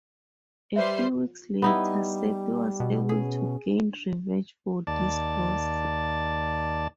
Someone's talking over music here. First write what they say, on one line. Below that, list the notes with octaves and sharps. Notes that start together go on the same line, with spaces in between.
A few weeks later, Seppi was able to gain revenge for this loss.
G3 B4 C5 E5 C6
G3 B3 D#4 E4
B2
C#4 G#4
D#2 D5 A5